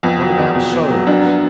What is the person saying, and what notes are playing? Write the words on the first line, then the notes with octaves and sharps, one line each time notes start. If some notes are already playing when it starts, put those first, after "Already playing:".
"What about souls?"
F2 B3
F#3
E2
B2
B3
F#3
F#2 D4
B3